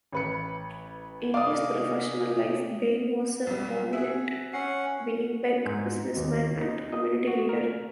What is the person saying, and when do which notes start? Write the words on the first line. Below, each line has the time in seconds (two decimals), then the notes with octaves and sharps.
In his professional life Bain was a prominent Winnipeg businessman and community leader.
0.12 A1 B4 C#7
1.34 C3 G#4 D5 D#5 F5 D6 D#6
3.47 B1 G3
3.93 F#4 G#4 E5
4.54 C#4 F#5 C7
5.66 G#2
6.16 D#2
6.61 D#4
6.92 D#5
7.28 F#4
7.49 A#4